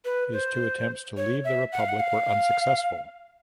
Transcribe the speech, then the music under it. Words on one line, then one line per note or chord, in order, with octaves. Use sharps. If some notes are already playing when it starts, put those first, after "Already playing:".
His two attempts to leave the republic were unsuccessful.
B4
C5
C#5
E5
F#5
F5
F#5
F5